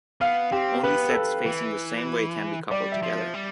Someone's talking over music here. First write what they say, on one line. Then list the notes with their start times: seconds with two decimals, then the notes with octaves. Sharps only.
Only sets facing the same way can be coupled together.
0.21 B3 F5
0.52 C4 G4
0.83 B3 B4
1.09 A4
1.15 B4
1.46 E3
2.71 G3 D5
2.92 E5
3.02 F3
3.34 G3